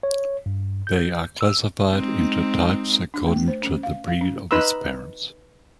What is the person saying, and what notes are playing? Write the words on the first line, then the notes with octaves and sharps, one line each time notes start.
They are classified into types according to the breed of its parents.
C#5
G2
G6
E6
G#3 C4 D#4
D4
A3
C5
C#4
F5
F5
C#4
D#4 B4 B5 C6 E6